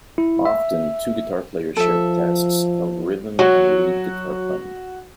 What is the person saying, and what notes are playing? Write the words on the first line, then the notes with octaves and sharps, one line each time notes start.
Often, two guitar players share the tasks of rhythm and lead guitar playing.
E4
E5
F3 A4 E5
F#3 F#4